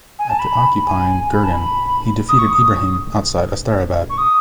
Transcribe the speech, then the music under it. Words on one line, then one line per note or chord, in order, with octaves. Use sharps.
After occupying Gurgan, he defeated Ibrahim outside Astarabad.
G#5
A5
B5
G#5
B5
A5
B5
D#6
C#6
D#6
C#6
D#6